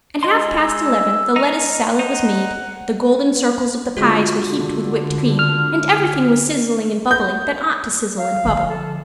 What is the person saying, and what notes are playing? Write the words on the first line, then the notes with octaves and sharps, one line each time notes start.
At half past eleven the lettuce salad was made, the golden circles of the pies were heaped with whipped cream, and everything was sizzling and bubbling that ought to sizzle and bubble.
G#3 D#5 C6
E6
D#4 F6
D#4 C5 F#5
D3 G#3 F4 F#4
D3
F6
G6
F5
D3 F3
A4